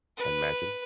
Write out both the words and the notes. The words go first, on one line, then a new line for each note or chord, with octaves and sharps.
I imagine.
B4